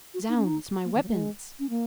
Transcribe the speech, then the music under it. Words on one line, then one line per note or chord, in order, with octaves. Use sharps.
"Zounds! my weapons."
F#4
D#4
C#4
D#4
A#3
D#3
F#3
A#3
G#3
C#4
A#3